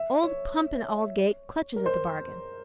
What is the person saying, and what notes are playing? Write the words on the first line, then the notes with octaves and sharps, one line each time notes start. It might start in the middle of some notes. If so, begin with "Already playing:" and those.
Old Pump and Aldgate clutches at the bargain.
Already playing: E5
C#5
A#4
C5